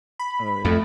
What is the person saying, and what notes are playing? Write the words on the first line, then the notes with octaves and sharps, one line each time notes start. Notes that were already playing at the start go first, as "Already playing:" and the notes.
Oh, yeah.
B5
F2 A3